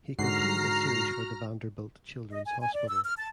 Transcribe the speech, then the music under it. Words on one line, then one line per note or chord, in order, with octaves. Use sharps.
He completed a series for Vanderbilt Children's Hospital.
G#2 D3 F#4 F#5 A#5 F6 C7
D#5
G#5
G#5
D5
E6
F6
A5